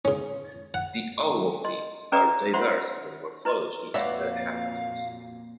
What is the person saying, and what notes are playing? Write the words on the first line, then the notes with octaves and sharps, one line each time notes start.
The Ulvophytes are diverse in their morphology and their habitat.
C#3 C#4
F#5
D#5 C6
C#4 G#4 B4 D5 A#5
F4 C5 E5 F#5 C6
E4 B4 D#5 C6
F2 A#2 F#4 B4 C#5 D5 E5 F5